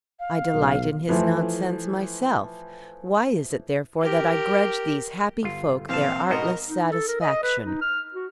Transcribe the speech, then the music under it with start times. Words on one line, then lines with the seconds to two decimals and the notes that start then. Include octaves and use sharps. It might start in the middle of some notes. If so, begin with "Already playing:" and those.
I delight in his nonsense myself; why is it therefore that I grudge these happy folk their artless satisfaction?
0.20 F5
0.54 B1
1.09 E3 F3 A3
4.02 G4 A#4
5.43 G1 F4
5.89 A#1 C3 E3 C4 F5 A5
6.29 G#2 B2 F#4 A#4 D#5
6.69 D#4
6.92 A4
7.08 A#4
7.21 D#5
7.43 B4
7.65 D#4
7.81 F6
8.14 F#4